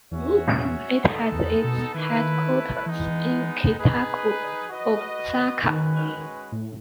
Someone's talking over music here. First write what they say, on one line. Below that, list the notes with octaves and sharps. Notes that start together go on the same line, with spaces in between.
It has its headquarters in Kita-ku, Osaka.
E2 C#4 F#4 C#5 E5
G#3 B3 D#4 A4
E2
B2
D#3 A3 E4 B4
E3 G#3 B3 D#4
D#4 G#4 B4
F#4 B4 D#5
D#3 G#3 C#4 F#4 B4
A2